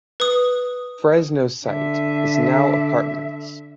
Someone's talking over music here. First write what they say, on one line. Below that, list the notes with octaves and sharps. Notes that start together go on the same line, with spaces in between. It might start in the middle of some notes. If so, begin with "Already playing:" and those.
Fresno site is now apartments.
B4 D#6
D3 E5